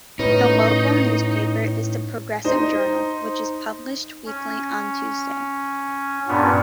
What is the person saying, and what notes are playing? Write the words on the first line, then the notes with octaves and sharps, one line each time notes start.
The local newspaper is "The Progressive Journal", which is published weekly on Tuesday.
A2 C#4 D#4 B4
D#4 C5
C#4
G2 A#2 B3 C#4 D4